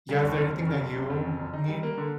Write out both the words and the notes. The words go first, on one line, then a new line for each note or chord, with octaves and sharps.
yeah is there anything that you need
G3
D#2
F#1
F2
C#3
F#1
F#1
F2
C#3
F#1
D#4
G3
A#3
D3